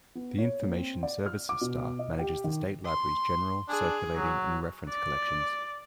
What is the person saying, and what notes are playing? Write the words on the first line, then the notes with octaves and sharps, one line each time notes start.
The Information Services staff manages the State Library's general, circulating and reference collections.
B3
C#5
A#3
C4
D5
F6
D6
B2
D#5
G4
D#3
C6
D4 G#4
F#3
D5